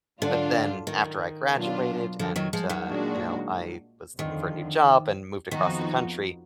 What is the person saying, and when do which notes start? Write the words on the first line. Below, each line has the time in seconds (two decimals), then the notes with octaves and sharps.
but then after I graduated, and, uh, you know, I was looking for a new job, and moved across the country,
0.21 G#2 D3 F#3 D4 F4
0.87 D#3
1.54 B2 F#3 D4 F4
2.19 D3 F3
2.36 D#3 F#3
2.53 F3 G#3
2.70 D#3 F#3
2.86 A#2 G#3 D4 F#4
4.19 F2 D3 D#3 F3
5.50 F2 D#3 F3 B3 D#4 F#4